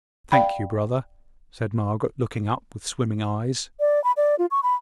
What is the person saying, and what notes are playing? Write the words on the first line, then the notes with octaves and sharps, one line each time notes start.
"Thank you, brother!" said Margaret, looking up with swimming eyes.
D5 F5 G5 B5
D5
B5
D5
F4
C#6
B5